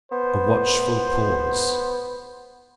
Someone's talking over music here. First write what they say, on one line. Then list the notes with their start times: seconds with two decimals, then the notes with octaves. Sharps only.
A watchful pause.
0.12 B3 C5